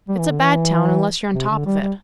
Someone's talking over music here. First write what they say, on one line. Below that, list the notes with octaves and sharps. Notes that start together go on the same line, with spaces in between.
It's a bad town unless you're on top of it.
G3
E3
D3
E3
C3
D3
G3
G3